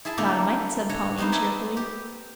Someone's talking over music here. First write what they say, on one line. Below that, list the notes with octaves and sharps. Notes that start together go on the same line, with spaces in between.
"Not a mite," said Pauline cheerfully.
E4 G#4 E5 A5
D3 A3 A#3 D4 G4 A4
D3 F#4 C#5
B3 C4 D#4 C5
D5 E5 G#5 A5
G4